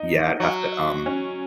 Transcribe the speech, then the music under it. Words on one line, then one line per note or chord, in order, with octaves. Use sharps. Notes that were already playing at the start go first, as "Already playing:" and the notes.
yeah, I'd have to, um,
Already playing: D#4
F#3
C#4